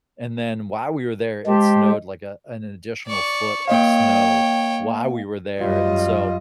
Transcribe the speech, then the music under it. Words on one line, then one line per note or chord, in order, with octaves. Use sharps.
and then while we were there, it snowed like a an additional foot of snow while we were there and, so,
G#3 G4 C5 A5
D5 C#6
A#3 C#5 D#5 F5 G5
F#2 F#3 G3 F4 D#5